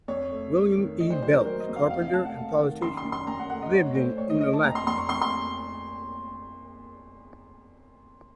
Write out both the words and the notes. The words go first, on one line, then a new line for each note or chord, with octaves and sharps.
William E. Beltz, carpenter and politician, lived in Unalakleet.
F2 C#5
A3
A3
D#3
A3 D#5
C5
F#3 C5
A#4
F#3 C5
D#5
F2
F5
C3 F5
F5
A3 A5
F#5
A3 F5
D#3
F#2 C6
C6
F#2
C6
F#2 A#5
F#5
A3 F#5
D#5
A2 C#5
A3 C5
A2 C#5
D#5
A3 D#5
A5
F2 A#5
C6
F2 C6
C#6
F2 C6
C6